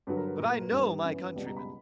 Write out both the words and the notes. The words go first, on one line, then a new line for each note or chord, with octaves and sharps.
But I know my countrymen.
G2 D3 F#3 B4
A#4
B4
A#2 A#3 A#4
A#4
B4
G2 E3 G3 B3
F#2 E3 B3
C#2 B2 G3 B3 D5
A#5
B5